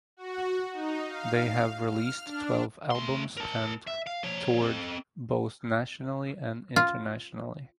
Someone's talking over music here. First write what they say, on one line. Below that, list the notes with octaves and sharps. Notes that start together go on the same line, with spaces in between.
They have released twelve albums and toured both nationally and internationally.
F#4
D#4
F5
F6
D4
A3 C6
A#4 A5
E5
F5
F3 C#5
C4 A4
F4